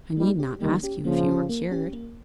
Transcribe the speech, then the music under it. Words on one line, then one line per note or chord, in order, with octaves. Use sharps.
I need not ask you if you were cured.
D#3 G3 A#3
C#4 G4
D#3 G3 A#3
C#4 G4
C#3 F3 A#3
C#4 G4
A#3
C#4 G4
A#3